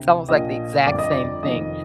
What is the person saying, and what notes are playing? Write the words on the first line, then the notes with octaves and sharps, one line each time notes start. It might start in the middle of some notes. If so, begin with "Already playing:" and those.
it's almost like the exact same thing,
Already playing: D2 C3
A#1 A#2 F3 D#5
G1 F2 D3 D5
D#5
D5
F1 F2 D#3 D#5